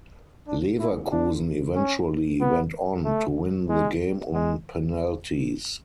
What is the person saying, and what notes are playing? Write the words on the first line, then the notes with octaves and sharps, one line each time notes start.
Leverkusen eventually went on to win the game on penalties.
D4
E4
D4
C#4
B3
A3
G#3
G#3